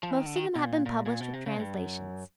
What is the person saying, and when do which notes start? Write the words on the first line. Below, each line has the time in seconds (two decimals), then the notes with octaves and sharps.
Most of them have been published with translations.
0.03 F3
0.11 E3
0.19 D#3
0.26 D3
0.36 D#3
0.55 B2
0.66 A#2
0.86 A#2
1.06 A#2
1.21 B2
1.33 C3
1.46 C#3
1.60 G2
1.74 F#2